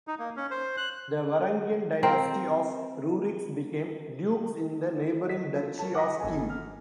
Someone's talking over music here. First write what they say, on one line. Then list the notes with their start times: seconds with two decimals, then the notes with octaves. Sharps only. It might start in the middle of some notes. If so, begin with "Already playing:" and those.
The Varangian dynasty of Ruriks became dukes in the neighboring Duchy of Kiev.
0.07 D#4
0.19 A#3
0.36 C#4
0.51 C5
0.77 F#6
2.03 C4 A#4
5.26 D#5 B6
5.55 D4 F4 A4
5.79 A#4 C#5 A5
5.94 F#5 D6 D#6 A#6 B6
6.20 G1 A4 D#5 G#5
6.50 F6